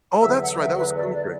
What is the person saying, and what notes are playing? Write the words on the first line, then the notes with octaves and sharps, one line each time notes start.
Oh, that's right, that was Kubrick.
E2 D3 F#3 E5
F#5
E5
B4
D5
D5